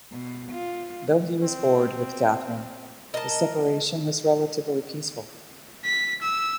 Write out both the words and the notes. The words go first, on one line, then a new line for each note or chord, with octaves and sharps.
Though he was "bored" with Catherine, the separation was relatively peaceful.
B2
F4
C4
A#4 D#5 A5
B6
E6